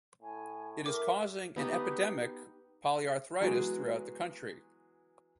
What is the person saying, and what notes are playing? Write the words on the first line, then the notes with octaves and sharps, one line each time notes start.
It is causing an epidemic polyarthritis throughout the country.
A2 G#5
A#4 E5 D6
B3 D#4 G4 B4
E3 F#3 G#3 B3 F#4 G#4